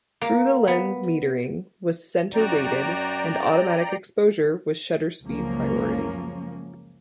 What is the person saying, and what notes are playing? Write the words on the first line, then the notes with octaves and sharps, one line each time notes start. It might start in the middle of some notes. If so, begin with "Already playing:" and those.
Through the lens metering was center weighted and automatic exposure was shutter speed priority.
A#3
B3
F#2 F#4 D5 G5 A#5
C#2 F#2 F3 A#3 C#4